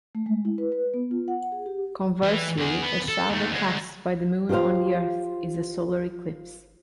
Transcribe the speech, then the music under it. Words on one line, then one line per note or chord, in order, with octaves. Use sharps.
Conversely, a shadow cast by the Moon on the Earth is a solar eclipse.
A3
G#3
E4
B4
B4
B3
F4
F#5
G#4
G4
E3
E2 G#4
B3
A4
D#2 A3
D3 G#3
F4 G4 A4 C5 F5